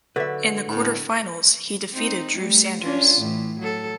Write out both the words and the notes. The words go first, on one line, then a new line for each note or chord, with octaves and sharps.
In the quarterfinals he defeated Drew Sanders.
D3 F#3 B4 E5
A2
C4 D#4
G3 A3
C#4 D4 F4
A2 E3
F#3 A4